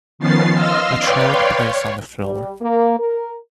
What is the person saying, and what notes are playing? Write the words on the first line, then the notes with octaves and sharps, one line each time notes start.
A child plays on the floor.
D#3 F3 B3 C#4 A6 C7
D#5 F5 C6 E6 F6
B4 C#5 D5 F5 G5 C6
C#5
G3
A#3
A#4